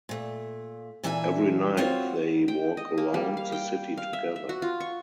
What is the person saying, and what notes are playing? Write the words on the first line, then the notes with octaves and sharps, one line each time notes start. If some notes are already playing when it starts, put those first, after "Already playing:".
Every night they walk around the city together.
A#2 A3
A#2 E3 D4 E5 G#5
C4 F4 F#4 C#5
G5
D#5
A#3
G3
F5
G5
F5
E5
E5
F#4
F4
C#6